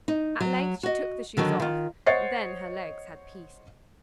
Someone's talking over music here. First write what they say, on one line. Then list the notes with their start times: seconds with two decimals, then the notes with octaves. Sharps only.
At length she took the shoes off, and then her legs had peace.
0.08 D#4
0.40 F#3
0.83 F#4 D#5
1.37 D3 D#3 F#3 F#4
1.60 D#3 F4
2.06 C5 C#5 D#5 F#5 A6 C7